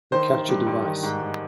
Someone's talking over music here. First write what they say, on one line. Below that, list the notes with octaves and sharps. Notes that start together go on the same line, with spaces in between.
The capture device.
D#3 C5
D#3
G2
G2
D#3
G#2
G#2